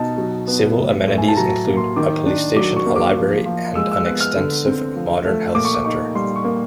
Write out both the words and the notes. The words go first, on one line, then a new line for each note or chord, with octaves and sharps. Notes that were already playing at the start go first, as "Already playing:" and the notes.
Civil amenities include a police station, a library and an extensive modern health centre.
Already playing: B2 D#4 A5
F#3
B3
A2
A2
G#5
A5
F#3 A#5
A#3
C6
D#3 D6
D4
F#3 D6
C#6
A#3
D6
F3
F3
G#3 E6
E6
B3 F#6
F6
D3
C4
F3
A3
A#2 D6
C#6
D6
D#4 C#6
G3 C6
C#6
A#3